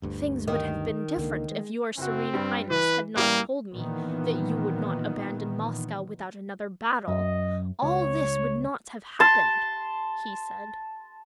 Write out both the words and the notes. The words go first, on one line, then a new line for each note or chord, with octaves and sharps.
"Things would have been different if your Serene Highness had not told me that you would not abandon Moscow without another battle; all this would not have happened," he said.
G1 D2 G2
D#3
C#2 D3 A#3
G#3
F#1 C4 F#4
G2 G3
E3 B4
A1 G3 A#3 F7
A#2 D#3 E3 B3
F#2 D#5
C#2 C#5
A5 C6